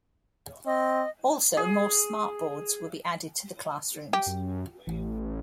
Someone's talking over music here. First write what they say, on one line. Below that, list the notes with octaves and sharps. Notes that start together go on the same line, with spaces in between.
Also, more SmartBoards will be added to the classrooms.
C4 D#5
G#4
G4
F#2
A1